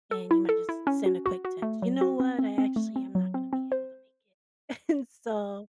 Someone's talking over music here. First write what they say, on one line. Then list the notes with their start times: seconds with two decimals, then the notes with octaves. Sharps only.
and you might just s send a quick text, "You know what? I actually am not gonna be able to make it." And so,
0.11 A4
0.31 E4
0.49 A4
0.69 E4
0.87 C#4
1.06 F#4
1.26 F#4
1.45 F#4
1.62 A3
1.82 F#3
2.01 F#4
2.20 C4
2.39 C4
2.58 C4
2.76 A3
2.96 C4
3.15 F#3
3.34 C4
3.53 C4
3.72 C5